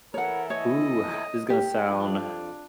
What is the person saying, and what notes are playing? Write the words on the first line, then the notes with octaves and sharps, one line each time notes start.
Ooh, ah, this is gonna sound
E3 E4 A4 A#4 C#5 F#5
C#5 D#5
G4
F2 D4 F4